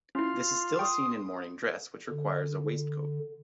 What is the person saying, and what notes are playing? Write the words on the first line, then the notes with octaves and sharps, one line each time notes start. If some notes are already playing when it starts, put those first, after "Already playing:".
This is still seen in morning dress, which requires a waistcoat.
C#4 E4 F4 C6
G5 C#6 D#6
D3